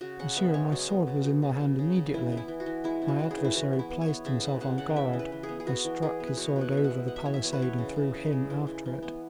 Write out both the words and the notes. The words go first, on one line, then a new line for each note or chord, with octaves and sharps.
"Monsieur, my sword was in my hand immediately, my adversary placed himself on guard, I struck his sword over the palisade, and threw him after it."
C#3 F#4
C#3 F#5
B3 E5
G#3 C#5
F#3
B3
C#3
F#3
C#3
F#3
C#3
C#3
E3 E4
B3
E4
E3
F#4
E3
G#3 E4
C#3
F#4
C#3
G#4
E3
E4
E3 F#4
B3
E4
B3
C#5
B3
C#3 E5
C#3 F#5
C#3 F#5
C#3 F#5
E3 E5
E3
B4
E3
G#4
B3
G#4
B3 F#4
E3
E3 G#4
B3
B4
B2 C#5
B2
F#5
B3 E5
F#5
G#3
B3 F#5
E5
E3 C#5
E5
B3 C#5
B4
E3 C#5
C#3
C#3
C#3
G#3
E3
E3
E3
B3